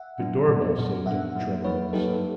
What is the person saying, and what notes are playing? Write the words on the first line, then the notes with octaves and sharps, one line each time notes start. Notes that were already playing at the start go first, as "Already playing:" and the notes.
The door-bell saved him the trouble of deciding.
Already playing: E5 F#5
A#2 F#3 B3 D4
A#2 F#3 B3 D4
A#2 F#3 B3 D4
A#2 F#3 B3 D4 E5 F#5
F#3 A#3 D#4
F#3 A#3 D#4 B4 C#5
F#3 A#3 D#4 G4 A4